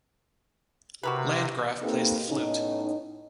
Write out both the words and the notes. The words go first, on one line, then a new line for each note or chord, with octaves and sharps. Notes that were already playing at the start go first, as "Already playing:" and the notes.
Landgraf plays the flute.
C3 F#4 A#4 B4
A#3 C4 D#4 G4 A4 B4
A2 B3 C#4 D#4